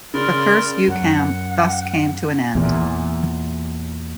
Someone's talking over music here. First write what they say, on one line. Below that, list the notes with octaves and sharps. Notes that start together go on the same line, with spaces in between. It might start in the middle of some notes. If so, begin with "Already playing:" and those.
The first yukam thus came to an end.
C#3 A#4 D5 C6
F#2 F#5
E2 A#2